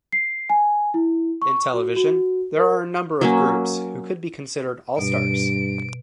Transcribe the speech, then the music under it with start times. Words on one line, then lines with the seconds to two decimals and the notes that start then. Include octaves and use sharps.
In television, there are a number of groups who could be considered All-Stars.
0.12 C7
0.49 G#5
0.94 E4
1.42 C#6
1.74 F#4
1.96 F#4
2.56 A#4
3.21 F#3 A#3 C#4
4.99 G2 B2 D7